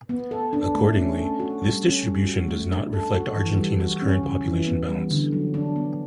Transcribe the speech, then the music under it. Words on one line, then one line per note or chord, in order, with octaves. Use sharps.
Accordingly, this distribution does not reflect Argentina's current population balance.
B3
A4
D4
A3
C#4
A4
F#4
G3
C#4
G3
F#4
A3
D4
A4
F#4
E3
G3
F#4
C#4
C#3
E3
B3
G3
D3
F#3
D4
B3